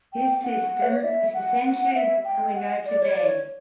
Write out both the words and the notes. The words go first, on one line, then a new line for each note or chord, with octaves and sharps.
His system is essentially the one we know today.
G5
F#5
B4
C#5
D5
E5
F#5
F#5
F#5
E5
G5
F#5
D5
C#5
D5
C#5